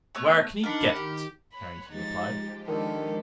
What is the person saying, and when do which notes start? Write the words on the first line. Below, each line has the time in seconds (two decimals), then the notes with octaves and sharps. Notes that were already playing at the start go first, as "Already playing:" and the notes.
"Where can he get it?" Harrington replied.
0.15 A3 B3 C#5
0.63 D4 D#4 A#4 F#5 B5
0.95 D#3 G4
1.52 C#5 F#5 B5
1.90 F3 G#3 D#4 G4 A6
2.68 D3 D#3 A4